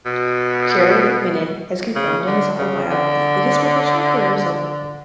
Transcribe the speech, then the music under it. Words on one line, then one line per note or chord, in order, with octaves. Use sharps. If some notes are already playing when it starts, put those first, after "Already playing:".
Jari Litmanen has confirmed in his autobiography that his professional career is over.
B2
C#3
D3
C#3
D3